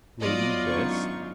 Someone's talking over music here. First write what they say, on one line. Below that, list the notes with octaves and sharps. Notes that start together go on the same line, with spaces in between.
Lady this.
F#3 B3 F4 D5 D#5
G#1 F#2 D4 D#4 C#6